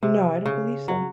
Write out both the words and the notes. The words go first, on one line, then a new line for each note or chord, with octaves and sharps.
No, I don't believe so.
C3
C#3
F#3